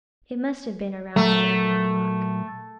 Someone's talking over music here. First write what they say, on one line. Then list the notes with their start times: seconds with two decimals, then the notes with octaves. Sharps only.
It must have been around eleven o'clock.
1.16 A#2 F#3 A3 A#5